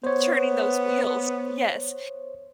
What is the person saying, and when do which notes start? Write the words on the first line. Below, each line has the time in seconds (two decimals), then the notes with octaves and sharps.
turning those wheels yes,
0.04 B3 C5 C#5